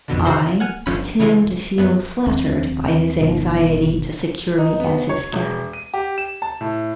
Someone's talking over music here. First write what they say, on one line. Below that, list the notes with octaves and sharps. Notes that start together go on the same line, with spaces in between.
I pretend to feel flattered by his anxiety to secure me as his guest.
A#1 F2 B2 D3
C#3 F#4 C5 B5 C6
F#5 G#5 F6 F#6
G1 F3 C#4 B5
C#3 E3 G#3
F#2 B3
D#2 C4
G1 G2 B2 D#3
D#4
B3
C#5
E1
D#7
G4
E7
A5
A2